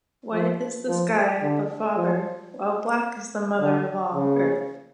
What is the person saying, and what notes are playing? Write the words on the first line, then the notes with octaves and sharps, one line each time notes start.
White is the sky, the Father, while black is the mother of all, Earth.
F3
F3
D3
F3
D3
C#3